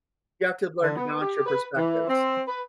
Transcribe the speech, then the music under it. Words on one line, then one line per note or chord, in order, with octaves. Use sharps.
You have to learn to balance your perspectives.
D3
B3
G4
B4
E3
C4
B4